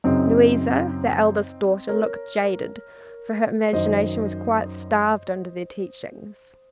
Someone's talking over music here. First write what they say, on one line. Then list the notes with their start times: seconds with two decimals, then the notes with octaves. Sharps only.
Louisa, the eldest daughter, looked jaded, for her imagination was quite starved under their teachings.
0.04 F#2 C#3 C4 D#4
1.89 A#4 C#5
3.73 F#2 D#3 C5 D#5